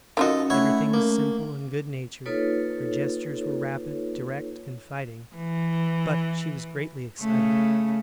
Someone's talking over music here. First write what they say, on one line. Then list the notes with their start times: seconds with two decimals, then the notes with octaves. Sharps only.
Everything was simple and good-natured, her gestures were rapid, direct, confiding, but she was greatly excited.
0.17 D#3 C#4 F4 F#4 A4 D#5
0.50 A3 E4 C#5 F#5
0.94 A#3
2.26 A#3 D#4 F4 A4 B4 C#5
5.35 E3
7.19 C#3 A3